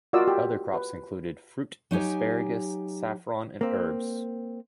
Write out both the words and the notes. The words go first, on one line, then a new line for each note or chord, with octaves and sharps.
Other crops include fruit, asparagus, saffron and herbs.
F4 F#4 A#4 D5 D#5 E6
G4
B4
F#3 D#4 G4 G#5
A#3 C4